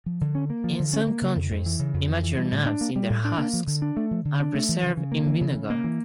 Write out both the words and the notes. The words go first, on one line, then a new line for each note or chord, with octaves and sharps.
In some countries, immature nuts in their husks are preserved in vinegar.
F3
D3
C#4
A#3
F3
D3
C#4
A#3
C#3
F2
F2
E3
C#3
F2
F2
E3
G3
A2
D4
A#3
G3
A2
D4
A#3
F3
D3
D4
A3
F3
D3
D4
A3
E3
C#3
C#3
A#3
E3
C#3
C#3
A#3
E3